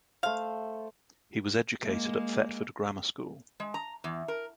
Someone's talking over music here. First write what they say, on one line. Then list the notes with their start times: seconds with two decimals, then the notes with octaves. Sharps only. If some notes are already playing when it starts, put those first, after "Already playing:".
He was educated at Thetford Grammar School.
0.23 A3 C5 F5
1.82 G#3 A#3
3.60 G#3
3.74 A#5
4.04 E2
4.28 A#4